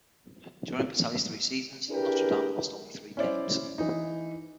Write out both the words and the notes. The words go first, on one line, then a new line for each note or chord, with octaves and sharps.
During Bertelli's three seasons, Notre Dame lost only three games.
D4 E4 G4 G#4 A#4 B4
C#4 E4 C5 D5
E3 D#4